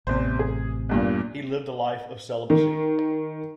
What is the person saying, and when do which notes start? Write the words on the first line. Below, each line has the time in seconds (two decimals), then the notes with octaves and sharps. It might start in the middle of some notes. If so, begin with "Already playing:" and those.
He lived a life of celibacy.
0.07 A1 E2 C3 C5
0.39 G#4
0.89 E2 G2 A#2
2.50 D#3